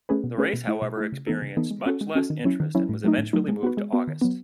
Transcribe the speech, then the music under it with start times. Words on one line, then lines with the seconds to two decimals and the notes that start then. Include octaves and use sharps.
The race, however, experienced much less interest, and was eventually moved to August.
0.09 A3 C#4 G#4 B4
0.24 B2
0.38 A3 C#4 G#4 B4
0.54 B2
0.67 A3 E4
0.82 B2
0.97 A3 E4
1.12 C#3
1.27 E3 B3 D#4 A4
1.42 C#3
1.57 E3 B3 D#4 A4
1.71 G#3
1.86 C#4 F#4 A4
2.01 G#3
2.15 C#4 F#4 A4
2.30 D#3
2.45 F#3 C#4 E4
2.60 D#3
2.75 F#3 C#4 E4
2.89 A2
3.04 F#3 A3 D#4
3.18 A2
3.33 F#3 A3 D#4
3.48 G#3
3.63 B3 F#4 B4
3.77 G#3
3.93 B3 F#4 B4
4.07 D#3
4.22 F#3 B3